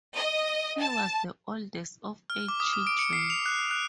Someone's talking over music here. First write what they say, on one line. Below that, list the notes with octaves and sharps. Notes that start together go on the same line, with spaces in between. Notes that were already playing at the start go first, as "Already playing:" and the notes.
He was the oldest of eight children.
D#5
A5
F6
D6
D#6
D#6
D7
C#7
C7
F7
F#6
F#6